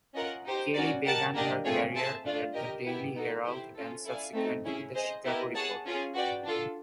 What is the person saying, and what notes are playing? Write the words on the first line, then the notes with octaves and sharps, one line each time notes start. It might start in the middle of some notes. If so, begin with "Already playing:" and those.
Kelly began her career at the Daily Herald and subsequently the Chicago Reporter.
C#4 F4 A#4 D#5 F#5
D#4 G4 C5
C#4 F#4 A#4 D5
G4 A#4 D#5 F#5 A5
A#3 D4 G4 A#4 D#5
A3 C4 F4 G#4 C#5
G#4 C5 E5 A5
A3 D4 F4
G4 A#4 D#5
B3 E4 G4
B3 D#4 F#4 A4
E4 G4 C5
C#4 F4 A4
E4 A4 D5 F5 G#5
A3 C4 D#4
C#4 E4 G#4
G#4 C5 D#5
B3 E4 G4 A#4 D#5
G#4 C#5 F#5 A5
C#4 F4 G#4
F#4 B4 D5 G5
D4 F4 A4